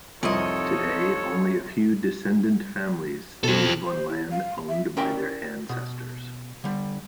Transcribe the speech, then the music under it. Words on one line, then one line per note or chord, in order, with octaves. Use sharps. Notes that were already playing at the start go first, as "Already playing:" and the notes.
Today, only a few descendant families still live on land owned by their ancestors.
C2 F2 C4 D#4 F4 A4 C#5 D#5
B2 A4 C5
C5
E4
F5
E5
C#4 E4 A#4 D5 G5
B2
D3 G3